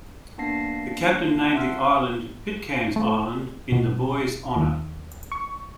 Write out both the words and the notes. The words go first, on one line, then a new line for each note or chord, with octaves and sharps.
The captain named the island Pitcairn's Island in the boy's honour.
A#3 B3 D4 A5 A#6 C7
E5 F#5 A5 C6 E6 F6
A3
B2
D#2
C#6